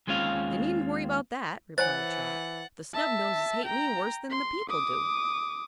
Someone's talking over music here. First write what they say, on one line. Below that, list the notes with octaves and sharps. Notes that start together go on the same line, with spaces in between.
"They needn't worry 'bout that," replied Trot; "the Snubnoses hate me worse than the people do."
D#2 G#3 C4 C#4 F4 F5
E3 C5 C#5 F#5 G#5 A6
E5 A5
G5 A#5
C6
D6 D#6